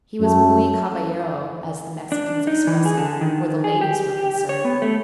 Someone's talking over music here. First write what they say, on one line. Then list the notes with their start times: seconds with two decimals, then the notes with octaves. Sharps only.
He was /muy caballero/, as the Mexicans express it, where the ladies were concerned.
0.20 F#2 A3
2.12 D4
2.47 D#4
2.67 E3
2.85 G#4
2.97 D3
3.21 D#3
3.64 G#4
3.81 G4
4.49 C#5
4.65 B3
4.82 A3